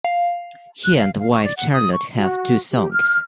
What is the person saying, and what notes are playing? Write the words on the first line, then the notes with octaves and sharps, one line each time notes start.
He and wife Charlotte have two sons.
F5
F#6
F5
F5
C#6
D5
F#5
D#6
C#6
F#4
G4
F6